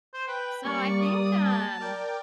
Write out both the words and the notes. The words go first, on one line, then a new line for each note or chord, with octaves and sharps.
So, I think, um
C5
B4 G5
G3 A#3 D5 C#6
D#6
A5
A#4 D5 G5